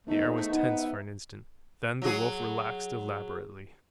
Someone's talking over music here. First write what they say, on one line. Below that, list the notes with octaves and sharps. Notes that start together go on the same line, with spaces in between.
The air was tense for an instant; then the Wolf relaxed elaborately.
A3 B3 D#4
G#4 C5 D#5
A3
B3 D#4
E5
F#3 F#4 G#4